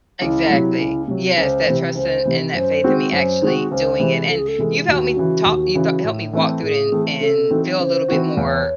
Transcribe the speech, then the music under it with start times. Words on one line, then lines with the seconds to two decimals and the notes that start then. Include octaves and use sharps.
Exactly. Yes. That trust and and that faith in me actually doing it. And you've helped me ta you th helped me walk through it and and feel a little bit more
0.20 C#2 E4
0.50 C3 F#3
0.79 C#2
1.08 C3 F#3
1.37 C#2 C5
1.66 C3 E3
1.95 C#2 C5
2.25 C3 E3
2.54 F#2 C5
2.84 D#3 G#3 C4 F#4
3.12 F#2 C5
3.42 D#3 G#3 C4 F#4
3.71 C#2 C5
4.00 C3 E3 G#3
4.29 C#2 A4
4.39 G#4
4.48 A4
4.58 C3 E3 G#3
4.87 D#2 F#4
5.16 C#3 E3
5.45 D#2
5.75 C#3 E3
6.04 A2
6.33 E3 A3 C4
6.63 A2 G#4
6.92 E3 A3 C4
7.21 C#3 A4
7.50 E3 C4 D#4 F#4
7.79 C#3 C5
8.08 E3 C4 D#4 F#4
8.37 E2 C#5